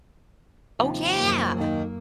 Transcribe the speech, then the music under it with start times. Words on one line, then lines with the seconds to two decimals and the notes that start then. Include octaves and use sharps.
Oh, yeah.
0.79 D#2 C3 F3
1.16 F#2 A#3
1.57 D#2 D#3